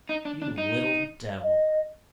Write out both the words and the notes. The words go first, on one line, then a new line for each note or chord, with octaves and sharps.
"You little devil!"
D#4
D4
D4
D#4
F5
D#5